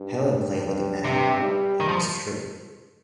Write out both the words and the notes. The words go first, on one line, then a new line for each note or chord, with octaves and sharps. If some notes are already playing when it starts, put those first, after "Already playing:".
Helen played like a man, it was true.
Already playing: G2
G2
G2 C3
G3
D#3
F3